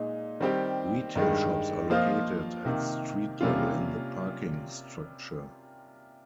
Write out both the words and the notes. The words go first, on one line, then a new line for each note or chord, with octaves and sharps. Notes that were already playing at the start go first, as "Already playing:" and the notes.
Retail shops are located at street level in the parking structure.
Already playing: A#2 G#3 D#4
D#3 G3 C4 G4
G2 D#3 G#3
F3 A#3 F4 C5 D#5
C3 D#3 A#3
C3 G3 A#3 C#4 F4